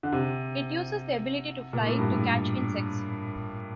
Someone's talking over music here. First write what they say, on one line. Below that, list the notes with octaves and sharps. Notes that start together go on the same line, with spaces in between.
It uses the ability to "fly" to catch insects.
D3
C3
A#2
A2
G2
A2